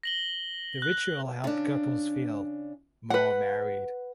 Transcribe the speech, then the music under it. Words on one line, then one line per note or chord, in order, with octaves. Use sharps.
The ritual helped couples feel "more married".
A#6 F#7 G7
F#6
C#3 D4
B4 F#5